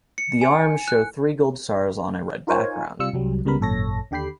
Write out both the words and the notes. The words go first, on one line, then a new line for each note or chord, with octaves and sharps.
The arms show three gold stars on a red background.
C#7
G#5
F#6
D#4 F4 A#4 C5 C#5 G#5
C3 G3 F4 E6 C#7
C2 F#3 G3
C#2 C#3 G3 B3 A#4 B5
G#1 F#2 A#2 A4 C#5 A#6
D#2 D3 G4 G5 B5 C7